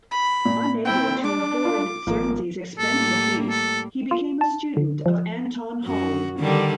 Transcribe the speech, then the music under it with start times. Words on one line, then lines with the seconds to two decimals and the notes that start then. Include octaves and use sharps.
Unable to afford Czerny's expensive fees, he became a student of Anton Halm.
0.11 B5
0.45 A#2
0.85 C4 E4 G5
1.24 D4 D6
1.65 F4
2.07 G#1 F3 A#3
2.78 A2 G3 A#3 A4
3.50 A4
4.11 F4
4.41 A5
4.77 D3
5.06 F3
5.84 F#2 F#4
6.39 D3 D#3 G3